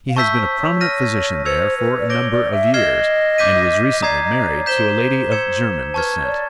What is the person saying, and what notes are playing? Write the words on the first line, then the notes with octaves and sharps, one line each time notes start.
He has been a prominent physician there for a number of years, and was recently married to a lady of German descent.
F5
E5 A5 C#6 E6 G6 B6
C5
C#5
F6 A#6 D#7
C5 E6 G#6 C#7 F7
B4
D5
C#5 D6 G6 A#6 D7 G7
D5
E5
D#5 F6 G#6 C7 E7 G7
D6 G6 B6 D#7
D5 A#5 D#6 G#6 C7
D#5
D5
C#5
C5 G6 B6 E7 G7
E6 G#6 C#7 E7 G7
B4 A5 C#6 F6 G#6
C#5
D5